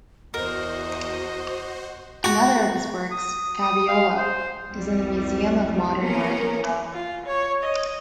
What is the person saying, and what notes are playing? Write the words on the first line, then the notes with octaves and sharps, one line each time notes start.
Another of his works, "Fabiola" is in the Museum of Modern Art in Rome.
E2 F#4 A#4 C5 D#5
F#4
D#6
D#6
F5
C5
C2 F2 G3
A#3 B3 C#4 G#4 A#4
F4
C#5
D#5